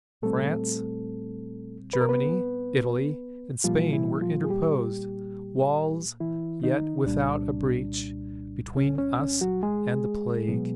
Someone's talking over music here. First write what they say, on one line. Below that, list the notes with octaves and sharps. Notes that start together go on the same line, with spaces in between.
France, Germany, Italy and Spain, were interposed, walls yet without a breach, between us and the plague.
A#2 G3 A3 C4 A4
B4
A#4
B3 B4
A#2 F3 G3 A#3 F4
E3 E4
F3 F4
G#4
G3 G4
E3 E4
D#3 D#4
C2 A#2 G3 D4
C#4
C#4
C#4
F#3 F#4
G#3 G#4
B2 F#3 B3